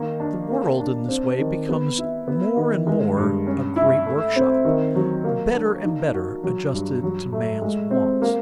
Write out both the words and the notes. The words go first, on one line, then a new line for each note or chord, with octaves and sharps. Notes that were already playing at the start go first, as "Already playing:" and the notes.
The world in this way becomes more and more a great workshop, better and better adjusted to man's wants.
Already playing: D#3 A#3
D4
A#3
D4
C4
D#3
B3
E4
B3
D#3
G#3
G2
C#4
E4
A3
C4
D#3
F#3
A#3
D4
D#4
F#4
F#3
G2
F#3
A3
G#3
C4
A#3